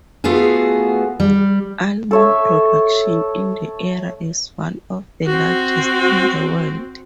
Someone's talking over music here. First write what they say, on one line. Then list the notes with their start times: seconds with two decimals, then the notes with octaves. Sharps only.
Almond production in the area is one of the largest in the world.
0.24 A3 B3 F4 F#4 G#4
1.20 G3
2.11 A4 C#5 E5
5.26 C4 F#4